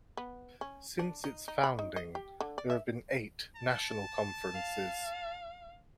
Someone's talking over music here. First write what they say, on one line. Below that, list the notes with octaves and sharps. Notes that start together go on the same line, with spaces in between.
Since its founding, there have been eight national conferences.
B3
C#4
D4
D#4
D#4
B5
D#4
D#5
G4
D3
D5
E5
A5
F5